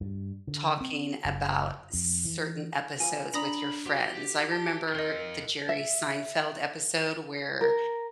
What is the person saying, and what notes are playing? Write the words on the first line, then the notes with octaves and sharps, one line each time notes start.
talking about certain episodes with your friends? I remember the Jerry Seinfeld episode where
G2
D3
C4
F#1
F2
E3
F4 B4 C5 G#5
D4 A#5 B5 D#6 A#6
F#4 G4 C5
A5
C4 F4 A#4 D#5
E5
A#4